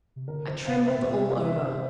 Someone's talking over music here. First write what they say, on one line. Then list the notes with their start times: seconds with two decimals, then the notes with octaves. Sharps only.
I trembled all over.
0.16 C3
0.28 D3 A#4
0.47 C5
0.66 C3 F5
0.86 E5
0.97 A#2
1.05 C3 E5
1.26 F5
1.44 E5
1.64 C5